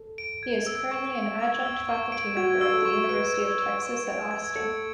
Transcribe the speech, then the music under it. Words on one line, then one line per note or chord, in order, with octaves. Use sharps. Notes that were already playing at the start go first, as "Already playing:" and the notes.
He is currently an adjunct faculty member at The University of Texas at Austin.
Already playing: A4
D7
G#6
E6
C#6
D7
G#6
E6
C#6
D7
F#4 G#6
E6
A4
C#6
B4 D7
G#6
E6
C#6
D7
G#6
A4 C#7